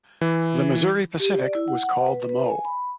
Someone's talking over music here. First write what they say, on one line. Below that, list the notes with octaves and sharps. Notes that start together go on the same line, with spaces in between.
The Missouri Pacific was called the Mo.
E3
G4
D5
E4
F#5
F#5
B4
B4
G#5
B5